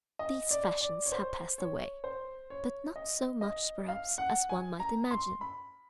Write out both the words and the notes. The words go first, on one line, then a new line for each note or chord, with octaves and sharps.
These fashions have passed away; but not so much, perhaps, as one might imagine.
D#5
D5
D5
C#5
C5
C#5
C5
C#5
D#5
D#5
F5
F#5
G#5
A#5
C6
B5